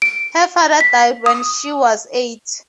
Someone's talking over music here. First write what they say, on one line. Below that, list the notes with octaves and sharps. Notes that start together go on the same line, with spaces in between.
Her father died when she was eight.
D7
B6
D#6